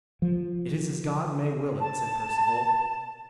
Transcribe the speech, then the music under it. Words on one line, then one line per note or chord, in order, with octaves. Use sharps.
'It is as God may will it,' said Perceval.
F3
A5